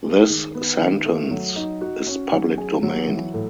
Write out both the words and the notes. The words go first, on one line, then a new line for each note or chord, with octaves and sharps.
This sentence is public domain.
G#3
D#3
B3
D#3
A3
F#3
D#4
F#4
C#4
F#3
G#4
F#3
E3
A2